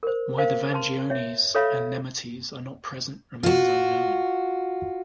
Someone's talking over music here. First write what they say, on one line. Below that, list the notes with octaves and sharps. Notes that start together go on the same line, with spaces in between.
Why the Vangiones and Nemetes are not present remains unknown.
A#4 C5
A#4 C5 F5
B4 A5 C6
C#5 E5
A4 B4 C#5 E5 F5 B5
F4 F#4